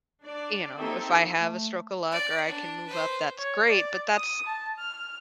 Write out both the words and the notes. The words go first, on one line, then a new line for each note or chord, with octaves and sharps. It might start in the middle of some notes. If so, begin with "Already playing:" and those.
eh you know, if I have a stroke of luck or I can move up, that's great, but that's uh,
D4 D5
A#3 C4 D#4 G4 A4 E5
A3
D5
D4
B4 C5
C#5
D5
D#6
A5
F6